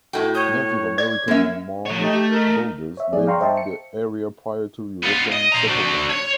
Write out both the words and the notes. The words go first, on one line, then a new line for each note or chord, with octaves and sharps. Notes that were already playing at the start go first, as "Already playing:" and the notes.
Native American mound builders lived in the area prior to European settlement.
A2 F#4 A4 G5
C#5 D#6 G6
C#5 D5 G#6
F#2 A#3 C#4 A#4 E5
F3 C#5
A3 D#4 G4
G4
D#4 A#4
C#5 E5
F3 B3 G#4 D5
D5 F5 G5 A#5 C6 C#6
C5 D#5 E5 G5 A5
C#7
B3 F4
D#5
C5 A#5
D4 F#4
C#5